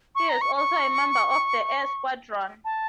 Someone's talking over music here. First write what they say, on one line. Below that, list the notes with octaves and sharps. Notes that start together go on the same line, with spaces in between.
He is also a member of The Air Squadron.
C#6
A#5
C#6
C#6
A5